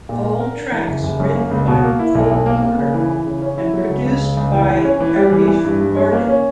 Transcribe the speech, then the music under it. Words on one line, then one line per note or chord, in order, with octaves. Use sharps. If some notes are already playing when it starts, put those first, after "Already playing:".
All tracks written by Cole Porter and produced by Arif Mardin.
A#2
A#4
A#4
D4
E3
F#1
F#1
F#2
A#3
C#2
B2
A#3
E4
B1
B1
A#3
A#3
C#3
E3
E3
C#3
C#4
E4
F#3
C#2
C#2
C#3
C#2
E3
E3
C#4
E3
G3
E3
E3
G2
G2
C#4
A#3
C#4